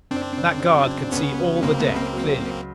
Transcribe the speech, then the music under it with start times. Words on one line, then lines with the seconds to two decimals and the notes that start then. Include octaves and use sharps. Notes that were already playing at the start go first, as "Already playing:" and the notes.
That guard could see all the deck clearly.
0.11 F#1 C4 D4
0.37 C#3
0.61 F#3
0.87 C#3
1.12 C#2 B3 C#4
1.38 F#3
1.62 C#2 A#3 C4
1.79 A3 B3
1.88 C#2
1.96 A#3 C4
2.13 F#3
2.39 F#3